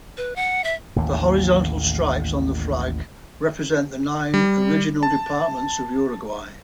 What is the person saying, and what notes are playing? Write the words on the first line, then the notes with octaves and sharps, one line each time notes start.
The horizontal stripes on the flag represent the nine original departments of Uruguay.
B4
F#5
E5
A1 D#2 A2 A#3
G3
A5